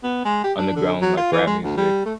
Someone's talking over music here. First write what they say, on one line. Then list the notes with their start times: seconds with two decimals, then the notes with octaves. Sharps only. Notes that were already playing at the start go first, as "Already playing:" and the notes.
underground, like, rap music,
0.03 B3
0.25 G#3
0.43 G4
0.58 D4
0.76 D3
1.01 F#3
1.17 F4
1.32 E3
1.47 G#3
1.63 D2
1.77 G3
2.05 A3